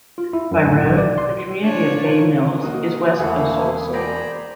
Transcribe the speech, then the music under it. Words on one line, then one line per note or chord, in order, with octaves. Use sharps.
By road, the community of Bay Mills is west of Sault Ste.
F4
E4
F#2
A2
B1
D5
C6
F3 D4 C#5
A#3 F#4 D#5
E1 A3 A#3 E4 G#4 F#5
C5 D5 G5 G#5 A#5 B5